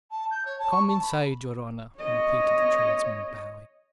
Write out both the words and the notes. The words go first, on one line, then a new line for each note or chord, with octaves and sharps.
"Come inside, your honor!" repeated the tradesman, bowing.
A5
G6
C#5
A5
C#6
A5
B5
C#5 D#5